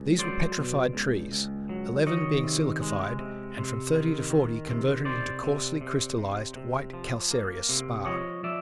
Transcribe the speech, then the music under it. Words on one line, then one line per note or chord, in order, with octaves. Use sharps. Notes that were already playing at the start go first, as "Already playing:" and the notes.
These were petrified trees, eleven being silicified, and from thirty to forty converted into coarsely-crystallized white calcareous spar.
Already playing: C#2
F#3 C5 D5
B2
C#2
C#2
F#3
D#3 C#5 D#5
C3
G#3
C3
C3
D#3
D#3
C3
C3 C5 D5
C3
C3
C3
C3
F3
A#3
C3
F3 C#5 D#5
F3 D5 E5